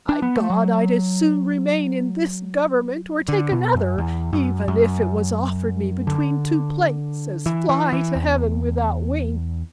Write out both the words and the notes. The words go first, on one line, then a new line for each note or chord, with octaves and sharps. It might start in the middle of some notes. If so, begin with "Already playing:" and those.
By God I'd as soon remain in this government, or take another, even if it was offered me between two plates, as fly to heaven without wings.
D4
B3
A3
F#3
D3
B2
F#2
E2
F#2
F#2
D3
E3
E3
E3
E2